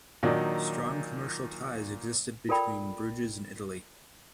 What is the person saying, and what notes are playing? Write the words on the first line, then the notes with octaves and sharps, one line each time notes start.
Strong commercial ties existed between Bruges and Italy.
A#2 D#3 F#3 D4 D#4
F4 A4 A#4 D5 G5 B5